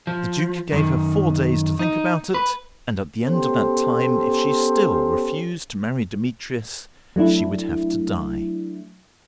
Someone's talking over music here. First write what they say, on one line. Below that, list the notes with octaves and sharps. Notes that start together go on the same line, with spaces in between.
The Duke gave her four days to think about it, and, at the end of that time, if she still refused to marry Demetrius, she would have to die.
F3
F#2 D#3
D#4
B4
B3 C#4 G4 A4 C5
F#3 A3 D4 E4